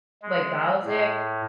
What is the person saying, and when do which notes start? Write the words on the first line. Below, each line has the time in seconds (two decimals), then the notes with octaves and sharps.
like, Bowser,
0.22 G#3
0.84 A2